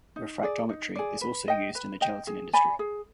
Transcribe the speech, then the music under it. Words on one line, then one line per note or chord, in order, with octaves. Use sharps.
Refractometry is also used in the gelatin industry.
D#4
G#4 D5
D#4
G#4 D5
B4
D#5 G5
B4
D#5 G5
G#4
D5 G#5 B5
G#4